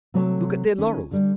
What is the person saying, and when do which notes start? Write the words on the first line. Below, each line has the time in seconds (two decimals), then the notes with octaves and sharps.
Look at their laurels.
0.14 C3 F#3 A3 A4 C#5 A5
0.78 D#3 C#4
1.11 D3 G3